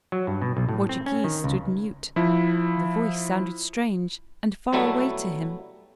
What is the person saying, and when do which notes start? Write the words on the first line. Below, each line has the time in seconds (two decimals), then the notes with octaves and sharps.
Portoghese stood mute; the voice sounded strange and far away to him.
0.12 F#3
0.27 G2
0.42 B2
0.57 B1
0.69 A2
0.89 C4
1.06 C#4
1.24 D#3
1.44 C#2
2.16 F3 E4
4.73 B2 F#3 G3 A3 E4